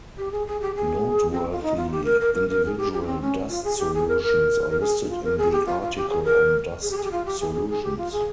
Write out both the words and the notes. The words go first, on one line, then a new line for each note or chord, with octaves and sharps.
Noteworthy individual dust solutions are listed in the article on dust solutions.
G4
G#4
G#4
G4
G#4
C4
F4
D#4
F4
G4
A#4
A#4
A#4
A#4
G#4
G4
G4
C#4
C4
C#4
F4
G#4
G4
G#4
A#4
A#4
A#4
G#4
D#4
F4
A#4
G#4
G4
F4
F4
G4
G#4
A#4
G#4
G4
G#4
G4
F4
G4
G#4
G#4
G#4
G4
F4
G#4